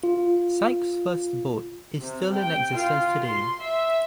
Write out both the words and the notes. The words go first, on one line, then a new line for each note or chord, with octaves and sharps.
Sykes' first boat is still in existence today.
F4
C3
G5
F4
C6
E5